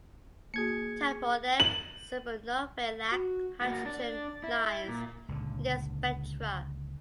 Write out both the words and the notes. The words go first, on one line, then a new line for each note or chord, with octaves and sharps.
Type Oneb supernovae lack hydrogen lines in their spectra.
A#3 F#4 G#4 G#6 C#7
F#7
F#4
A#3 F#4 A6
D4
E4
A#2
C#2 A#2 D3